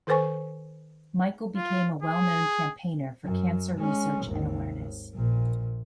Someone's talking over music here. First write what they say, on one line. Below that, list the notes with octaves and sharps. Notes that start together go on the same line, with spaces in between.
Michael became a well-known campaigner for cancer research and awareness.
D#3 A4 B4 C5 G#5 C#6
F4
G#4
F#2
G#3 C#4
G#1 D#2
A#1 A#2